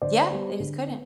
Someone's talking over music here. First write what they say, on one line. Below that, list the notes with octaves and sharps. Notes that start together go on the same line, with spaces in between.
Yeah. They just couldn't.
D3 C5 D5
G3 B3
D3
B3